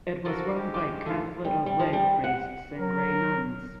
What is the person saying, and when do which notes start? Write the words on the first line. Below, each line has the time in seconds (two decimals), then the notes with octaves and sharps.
It was run by Catholic Oblate priests and Grey Nuns.
0.25 D3 F3 F4 F#4 A4 A#4
0.54 G#3 G4
0.74 F4 F#4 D5 D6
1.06 D2 G#2 D#3 F4 A4 F5
1.45 G3
1.66 G3
1.79 F3
1.93 G3
2.24 F#5
2.78 F#3 A#4